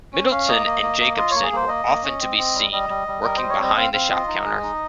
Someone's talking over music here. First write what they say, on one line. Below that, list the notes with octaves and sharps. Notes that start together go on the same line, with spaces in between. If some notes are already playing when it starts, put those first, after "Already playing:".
Middleton and Jacobson were often to be seen working behind the shop counter.
C#4
C#4 F5
A#3 D#5
A#3
A#3
A#3
F4 D#5
A#3 C#5
G#4
A#3 C5
A#3 D#5
A#3
C#4
C4
C4
G3
G3 D#5
G3
G3
G3 A#4
G3 C5
C#5
C4 D#5
C4 F5
C4 F5
F4 D#5
D#4
G#3
D#4